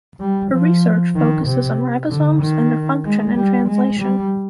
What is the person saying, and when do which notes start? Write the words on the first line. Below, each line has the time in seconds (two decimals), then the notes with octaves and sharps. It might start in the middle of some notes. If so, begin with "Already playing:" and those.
Her research focuses on ribosomes and their function in translation.
0.20 G3
0.52 F3
1.16 D#3
1.47 C3
2.10 D3
2.42 D#3
3.05 G#3
3.36 G3
3.68 G#3
4.00 G3